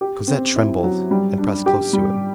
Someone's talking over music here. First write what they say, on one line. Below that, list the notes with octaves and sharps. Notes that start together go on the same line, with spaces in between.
Cosette trembled and pressed close to him.
G4
C4
E4
F#3
G3
D4
G4
G3